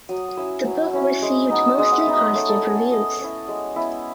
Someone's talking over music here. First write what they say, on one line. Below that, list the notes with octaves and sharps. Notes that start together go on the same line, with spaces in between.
The book received mostly positive reviews.
F#3 D#6
D#6
C#4 E4 E6
F#3
C#4 E4
G#3
B3 D#4
E6
G#3 D#6
F#5
E5
B3 D#4
D#5
A3 C#5
A4
C#4 E4 G#4
A4
A3 D#5
C#4 E4
G#3
B3 E4